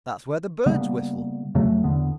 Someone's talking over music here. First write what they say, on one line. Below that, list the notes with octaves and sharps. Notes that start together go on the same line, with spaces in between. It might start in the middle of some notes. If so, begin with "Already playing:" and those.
That's where birds whistle.
C#3 G3 A#3 B3
F2 C#3 F#3 A3
E2 D3 B3